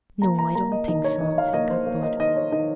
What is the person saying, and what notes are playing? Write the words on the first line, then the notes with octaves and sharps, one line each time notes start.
"No, I don't think so," said Cuthbert.
A#3 A#5
A#5
A#3 A#5
D#5
D#3 D#5
C#5
D#3 D#5
F5
A#3 D#5
C5
A#3
D#5
D#3 D#5
C#5
D#3 D#5